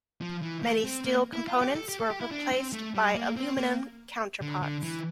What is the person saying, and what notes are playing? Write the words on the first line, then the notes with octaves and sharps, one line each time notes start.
Many steel components were replaced by aluminium counterparts.
F3
E3
A3
C4
A#3
E4
F4
G4
A4
G4
A4
G4
E4
D4
C4
A3
G3
A#3
C4
A#3
D3
D3
E3